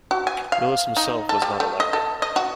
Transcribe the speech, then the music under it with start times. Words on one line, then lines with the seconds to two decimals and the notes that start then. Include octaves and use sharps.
Willis himself was not elected.
0.11 F#4
0.27 G#5
0.52 F5
0.97 D#4
1.29 A4
1.42 G3
1.60 A3
1.80 D#5
1.93 A4
2.22 D#5
2.36 F#4